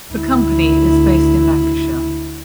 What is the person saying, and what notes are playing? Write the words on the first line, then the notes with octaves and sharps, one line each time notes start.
The company is based in Lancashire.
D2 E4